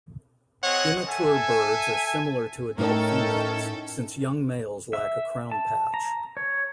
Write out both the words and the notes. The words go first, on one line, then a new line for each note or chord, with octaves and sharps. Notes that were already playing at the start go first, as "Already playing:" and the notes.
Immature birds are similar to adult females, since young males lack a crown patch.
C4 G#4 C#5 D#5 F#5
A4 E5 G#5
A2 C#4 D#4 A4 A#4 G5
E5
A5
A#5
C#5